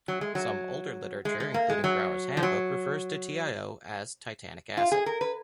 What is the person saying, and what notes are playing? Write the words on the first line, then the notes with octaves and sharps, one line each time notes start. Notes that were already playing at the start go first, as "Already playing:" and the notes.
Some older literature including Brauer's Handbook refers to TiO as titanic acid.
F#3
G#3
F#3
G#3
G#3
A#3
G#3
F#3
F3
F#3
F4
G#4
A#4
B4